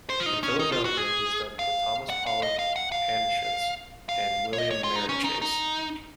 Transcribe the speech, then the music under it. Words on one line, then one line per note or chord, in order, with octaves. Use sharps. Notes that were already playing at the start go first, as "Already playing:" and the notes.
In Philadelphia he studied with Thomas Pollock Anshutz and William Merritt Chase.
C5
F4
D#4
C#4
D#4
F4
F#4
G#4
F5
F#5
F5
D#5
F5
F#5
F5
F5
C#5
D#5
C#5
F4
D#4
C#4
D#4
D#4